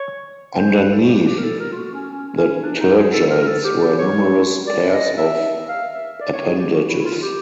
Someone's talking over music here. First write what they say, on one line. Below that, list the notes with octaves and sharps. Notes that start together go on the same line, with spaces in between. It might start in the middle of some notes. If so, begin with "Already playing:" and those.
Underneath the tergites were numerous pairs of appendages.
Already playing: C#5
C5
B4
A4
F#4
G4
G4
A#4
A4
A#4
F4
F#4
C#4
C#4
C#4
D4
D#4
G#4
A4
A#4
A#4
A4
G4
G4
C#5
D5
D#5
E5
F5
E5
D5
C#5
G#4
G4
F#4
E4
E4
F4
G4